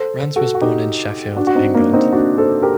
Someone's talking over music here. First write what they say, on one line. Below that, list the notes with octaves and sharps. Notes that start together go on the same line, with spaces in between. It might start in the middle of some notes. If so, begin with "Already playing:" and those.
Rands was born in Sheffield, England.
Already playing: A4 C5
F#4 A4
F#4
D#4 G4
D4 F#4
F#4
C4 D#4
A#3 D4
C4 D#4
D4 F#4
A4 C5
G4 A#4